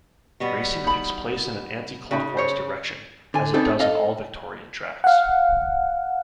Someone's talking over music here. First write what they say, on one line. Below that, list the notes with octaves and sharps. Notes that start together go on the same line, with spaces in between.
Racing takes place in an anti-clockwise direction, as it does on all Victorian tracks.
B2 G3 B3
D#4 B5
C#3 D#4 F#4
C5 C#5
D3 G#5
B3 C4 D4 D#4 A4
A4 D#5 F5
F5 F#5